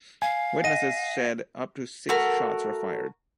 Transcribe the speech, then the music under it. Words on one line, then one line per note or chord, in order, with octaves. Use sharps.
Witnesses said up to six shots were fired.
F5 G#5
D#5 F#5 A#6 D#7
A3 F#4 A#4